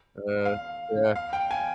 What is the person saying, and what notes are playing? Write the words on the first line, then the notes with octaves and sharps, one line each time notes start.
Uh, yeah.
F5
F5
G5
G#5